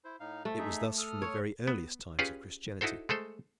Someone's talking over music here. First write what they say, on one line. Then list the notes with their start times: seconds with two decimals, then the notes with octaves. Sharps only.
It was thus from the very earliest times of Christianity.
0.05 E4 C5
0.20 A2 D#4 F5
0.45 F3 A3
0.59 D#4 G#4 E5
0.98 A4 D#6 F6
1.22 C#5
1.68 B3
2.19 C#4 F4 G4 G#4 B4 F5
2.81 D#4 E4 F#4 A4 C5
3.09 G#3 A3 A4 C5